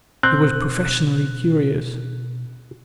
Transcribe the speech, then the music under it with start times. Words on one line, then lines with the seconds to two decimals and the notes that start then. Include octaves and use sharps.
He was professionally curious.
0.23 B2 C4 F#6